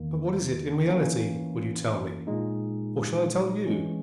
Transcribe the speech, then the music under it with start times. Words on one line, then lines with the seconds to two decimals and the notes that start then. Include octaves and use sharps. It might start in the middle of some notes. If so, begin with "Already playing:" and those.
But what is it, in reality, will you tell me? Or shall I tell you?
Already playing: E2 D#3 A#3
0.87 E3 A#3 C#4
2.27 A#2 G#3 D#4
3.66 E3 G#3 C#4